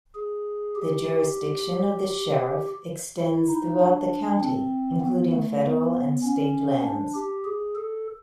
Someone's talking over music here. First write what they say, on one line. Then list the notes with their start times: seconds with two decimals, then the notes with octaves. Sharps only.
The jurisdiction of the Sheriff extends throughout the county, including federal and state lands.
0.15 G#4
0.76 G4
3.19 E4
3.49 D#4
3.80 D4
4.41 C4
5.01 B3
5.32 A3
5.62 B3
6.23 C#4
6.84 D4
7.15 G4
7.45 G#4
7.75 A4